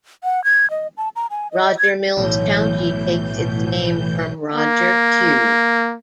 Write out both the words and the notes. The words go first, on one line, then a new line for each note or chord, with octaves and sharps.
Roger Mills County takes its name from Roger Q.
F#5
G#6
D#5
A5
A#5
G#5
D#5
G#6
B1 A2 E3 G6
B2
A#3